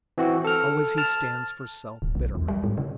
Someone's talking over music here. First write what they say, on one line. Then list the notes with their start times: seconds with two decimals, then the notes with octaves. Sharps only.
Always he stands for self-betterment.
0.18 E3 C4 F#4
0.45 A4 F6
0.98 A5 F6
2.02 D1
2.15 B1
2.35 E2
2.48 G3
2.64 G#2
2.78 C#3